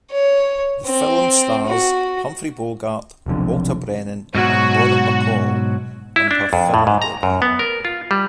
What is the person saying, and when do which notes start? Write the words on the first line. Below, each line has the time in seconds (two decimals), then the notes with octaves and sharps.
The film stars Humphrey Bogart, Walter Brennan and Lauren Bacall in her film debut.
0.11 C#5
0.86 C4
1.67 F#4
3.26 F1 B1 F2 D3
4.35 G#2 B2 F#3 F#4
6.16 E4
6.31 D4
6.53 F2
6.74 A2
6.87 G#2
7.02 A#5
7.23 F#2
7.42 B3
7.59 A#4
7.85 F4
8.11 G3